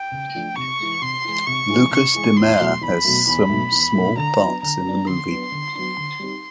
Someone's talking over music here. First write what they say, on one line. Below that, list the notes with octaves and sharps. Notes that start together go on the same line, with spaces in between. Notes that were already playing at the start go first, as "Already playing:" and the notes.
Lucas Demare has some small parts in the movie.
Already playing: G5
C#3
F3 A3 D4
C3 C#6
E3 G#3
C3 C6
E3 G#3
C3 C#6
E3 G#3
C3 C#6
E3 G#3
E2 C6
B2 F#3 A3
E2 B5
B2 F#3 A3
E2 B5
B2 F#3 A3
E2
B2 F#3 A3
D3 A#5
F#3 B3 D4
D3 A#5
F#3 B3 D4
D3 C6
F#3 B3 D4
D3
F#3 B3 D4
D3
G3 C4 D#4 G4